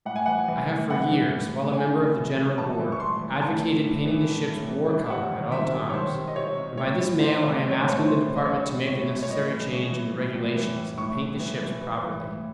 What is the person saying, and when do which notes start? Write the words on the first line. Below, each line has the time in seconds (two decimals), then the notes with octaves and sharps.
I have for years, while a member of the General Board, advocated painting the ships war color at all times, and by this mail I am asking the Department to make the necessary change in the Regulations and paint the ships properly.
0.05 A2 F#5
0.16 G#5
0.26 E3 F#5
0.48 E3
0.69 A2
0.90 E3 F#5
1.11 E3
1.32 A2
1.53 A2
1.73 A2 G#5
1.95 E3
2.16 E3
2.37 E3
2.58 E3 A5
2.79 E3
2.92 C#6
3.00 A2 C6
3.21 E3
3.42 A2 A5
3.63 A2
3.84 A2
4.05 E3
4.26 A2
4.47 A2
4.68 E3
4.89 E3
5.06 E5
5.10 C3 F#5
5.31 D#3
5.52 D#3 E5
5.73 C3
5.89 C#5
5.93 D#3 C5
6.15 C3
6.28 D#5
6.36 C3 C#5
6.57 C3
6.77 A2 C#5
6.98 A2
7.19 E3 C5
7.41 A2
7.62 E3 D#5
7.71 C#5
7.79 A2 C5
7.88 C#5
8.03 E3 C5
8.25 A2
8.36 D#5
8.46 E3 C#5
8.67 A2
8.87 A2 C#5
9.08 A2
9.23 C#5
9.29 A2 D#5
9.51 E3
9.71 E3
9.92 E3
10.13 E3
10.35 A2
10.55 E3
10.76 A2
10.98 A2 C#6
11.18 A2
11.39 E3
11.61 E3
11.81 E3
12.02 E3
12.23 A2